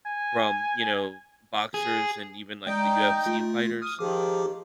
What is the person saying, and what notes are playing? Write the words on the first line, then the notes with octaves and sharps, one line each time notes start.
from, you know, boxers and even, like, the UFC fighters
G#5
G#4
G#3 D#4 D5 D#5 G5
A3 F4
D#6 F6
D#3 F3 G4 G#4 D6